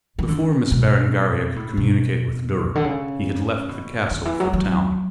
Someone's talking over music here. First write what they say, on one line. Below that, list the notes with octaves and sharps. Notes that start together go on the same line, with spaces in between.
Before Miss Berengaria could communicate with Durham, he had left the castle for town.
E3
D3
B2
A2
B2
D3
C#3
B2
D3
E3
F#3
F#3